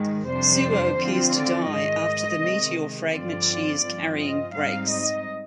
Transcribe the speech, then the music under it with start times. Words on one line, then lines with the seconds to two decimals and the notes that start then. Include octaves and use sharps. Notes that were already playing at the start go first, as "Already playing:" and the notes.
Suo appears to die after the meteor fragment she is carrying breaks.
Already playing: G#2 D#3 G#3
0.27 F2 C3 G3 D4 C5
0.98 D3 F3 C4 F4
1.34 D5
1.69 G#2 D#3 G#3 D#5
2.40 C3 D#3 G#3
3.12 G2 D3 F3 C4 F4 D5
3.82 G2 F3 C4 F4
4.18 D#5
4.53 G#2 G3 C4 D#4 F5
4.90 D#5